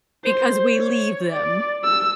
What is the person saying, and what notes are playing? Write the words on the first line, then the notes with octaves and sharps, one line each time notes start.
Because we leave them.
C5
C#5
D5
E6